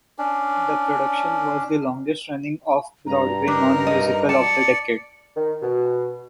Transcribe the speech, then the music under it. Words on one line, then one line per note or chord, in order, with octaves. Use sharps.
The production was the longest running Off-Broadway non-musical of the decade.
C#4 D4
G2 A#5
D4 D#4 A#4
D#5
D5 A5 C#7
D#3
B2